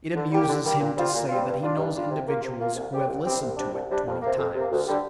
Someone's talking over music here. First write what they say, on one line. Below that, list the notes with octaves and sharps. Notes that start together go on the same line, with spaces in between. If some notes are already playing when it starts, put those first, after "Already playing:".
It amuses him to say that he knows individuals who have listened to it twenty times.
D3
G3 A#3 G4
D3
G3 A#3 G4
A#2
G3 C4 F4
A#2
G3 C4 F4
G2
G3 D4 F4
G2
G3 D4 F4
C3
A#3 F4
C3
A#3 F4
C2
C3 G3 C4 G4
C2
C3 G3 C4 G4
C2
C3 G3 D4
C2
C3 G3 D4
F2
C3 A#3
F2
C3 A#3
D2
D3 G3